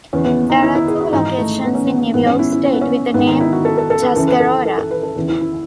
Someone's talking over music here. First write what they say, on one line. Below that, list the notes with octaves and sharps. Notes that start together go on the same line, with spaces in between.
There are two locations in New York State with the name Tuscarora.
E2 C#3 E3 C#4
B3
D#4
E4
E4
G#4
F#4
G#2 E3 D#4
A3
B3
C#4
B3
G#2 E3 B3
C#4
E4
E4
C#4
B3
C#4
G#2 D#3 B3
D#4
E4
F#4
A4
A4
A4
B4
F#2 C#3 E3 A4
B4
A4
A4
A4
B4
A4
E2 C#3 E3
E4
E4